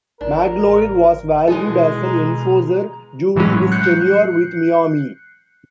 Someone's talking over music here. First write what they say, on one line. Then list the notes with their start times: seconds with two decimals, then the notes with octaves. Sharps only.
Magloire was valued as an enforcer during his tenure with Miami.
0.21 A1 D4 A#4
1.48 B2 E3 G#3 G#4 A4
2.01 A#5
3.36 A2 E3 F#3 G#3 C#4
3.72 F#6 G6 C7 C#7